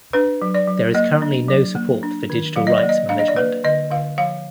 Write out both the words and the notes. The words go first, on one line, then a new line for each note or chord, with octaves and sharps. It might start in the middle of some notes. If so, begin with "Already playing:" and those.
There is currently no support for Digital rights management.
D4 B4
F#3
D5
F#3
A#3 D#5
D4
F#3
A#3
D4
D#3
F#3 F5
D#5
D5
A#3
D#5
D4 F5
D#5
D5
A#3 B4
D3 D#5
D3 F5
F3 F5